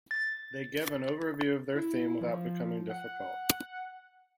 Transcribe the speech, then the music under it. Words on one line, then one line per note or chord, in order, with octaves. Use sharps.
They give an overview of their theme without becoming difficult.
A6
E4
F3
F#5